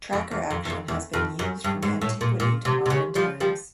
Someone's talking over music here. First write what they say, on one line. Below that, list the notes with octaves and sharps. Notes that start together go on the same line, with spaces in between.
Tracker action has been used from antiquity to modern times.
F2
E2
F2
E2
F2
E2
F2
F#2
G2
G#2
A2
A#2
A#2
C3
C3
C#3
F3 G3
F3 G3